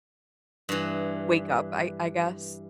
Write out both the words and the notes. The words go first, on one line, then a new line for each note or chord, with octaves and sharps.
wake up, I I guess,
G2 E3